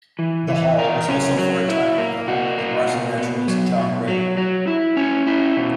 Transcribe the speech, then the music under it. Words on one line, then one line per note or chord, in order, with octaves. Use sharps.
The hall was also for a time the home of the parson-naturalist John Ray.
E3
E3
A#4
C#4
F#3
E4
A#3
F#4
A#3
B2
B3
F#3
B2
F#3
F#3
E4
C#4
E4
B2